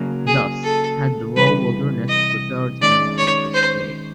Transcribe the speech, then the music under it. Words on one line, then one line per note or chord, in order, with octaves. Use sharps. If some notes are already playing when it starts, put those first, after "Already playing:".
Thus had the raw wilderness prepared him for this day.
Already playing: C#3 F#3 A#3
G#4
A4
C3 E3 G3 B4
D#5
D#3 G#3 C#4 D5
C#5
C5